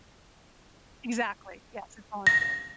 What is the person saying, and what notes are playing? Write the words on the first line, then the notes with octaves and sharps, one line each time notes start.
Exactly, yes, it's voluntary,
A#6